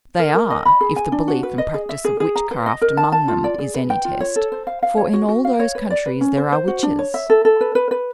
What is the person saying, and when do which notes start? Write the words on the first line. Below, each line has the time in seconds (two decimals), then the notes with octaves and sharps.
They are, if the belief and practice of witchcraft among them is any test; for in all those countries there are witches.
0.19 A#4
0.35 A#4
0.50 D#5
0.65 B5
0.81 G#4
0.96 G#5
1.12 D4
1.28 F#4
1.43 B4
1.58 D#5
1.74 G#4
1.89 E5
2.05 G#4
2.20 G#4
2.36 A#5
2.51 B4
2.66 D#5
2.82 A#4
2.97 A5
3.12 A5
3.28 F4
3.44 D5
3.59 G#4
3.74 B4
3.90 G5
4.05 F4
4.20 C#5
4.36 A4
4.52 C5
4.67 F5
4.83 F5
4.97 C#5
5.14 F#4
5.29 F#4
5.45 F5
5.60 C#5
5.75 B4
5.90 D5
6.06 B4
6.21 C#4
6.37 C5
6.52 C5
6.68 F#4
6.83 D4
6.99 C#5
7.14 E5
7.30 A4
7.45 A4
7.61 B4
7.75 B4
7.91 B4